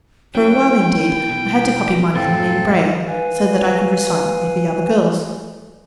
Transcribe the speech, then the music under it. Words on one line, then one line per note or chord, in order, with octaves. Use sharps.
For a while, indeed, I had to copy my Latin in braille, so that I could recite with the other girls.
F#3 C#4 E4 G5
B2
F#2 A2 C3 C4 A4 F5
B4 F5 G#5